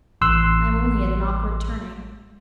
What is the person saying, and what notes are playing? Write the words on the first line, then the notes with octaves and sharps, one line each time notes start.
I am only at an awkward turning.
A1 C6 E6 F#6